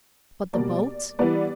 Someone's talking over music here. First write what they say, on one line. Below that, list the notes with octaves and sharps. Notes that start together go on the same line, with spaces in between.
"But the boat?"
B2 G3 A#3 D5
E3 G3 B3 D5